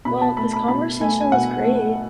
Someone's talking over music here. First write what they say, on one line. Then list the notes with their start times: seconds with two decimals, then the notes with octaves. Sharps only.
Well, this conversation was great.
0.05 B2 B5
0.21 A5
0.37 A3 B5
0.53 B5
0.68 B2 B5
1.01 A3 G#5
1.21 G#5
1.32 B2 F#5
1.64 A3